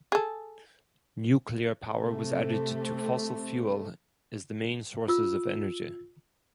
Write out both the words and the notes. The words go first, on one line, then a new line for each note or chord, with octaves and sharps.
Nuclear power was added to fossil fuel as the main sources of energy.
G#4 A4
C3 A3
F4 E6